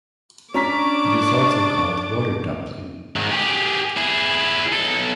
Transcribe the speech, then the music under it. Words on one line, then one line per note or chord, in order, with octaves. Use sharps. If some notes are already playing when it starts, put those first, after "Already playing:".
It is also called "water dumpling".
C#4 D4 A#5 C#6 D6 B6
G#2 D#3
G4 G#4
E4 G#4
B1 A4